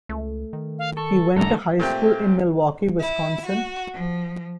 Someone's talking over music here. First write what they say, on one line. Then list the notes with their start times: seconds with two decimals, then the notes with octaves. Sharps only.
He went to high school in Milwaukee, Wisconsin.
0.09 C#2 A3
0.53 D#3
0.79 F5
0.97 A4 C#6
1.36 F#2 D3 D#3 A3 A4 A#5
1.79 A#2 A3 C4 G4 G5
3.00 E4
3.46 F#4
3.93 F3